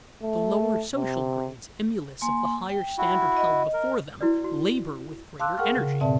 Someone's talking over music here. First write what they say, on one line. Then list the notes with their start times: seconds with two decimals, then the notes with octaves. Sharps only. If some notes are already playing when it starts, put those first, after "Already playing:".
The lower social grades, emulous of the higher standard held before them, labor with greater energy.
0.22 A3
0.95 C3
2.21 A#3 G#5 C6
2.69 G5
2.98 E4 F#4
3.37 D#5
3.73 A#4
4.21 E4 F#4 B4 D5
4.44 F#4
5.40 F5 A5 C6 D6 E6 F#6
5.58 G#4 A#4 F#5 G5 C#6 F6
5.77 C#3
6.01 G#2 B2 C4 D5 E5 A5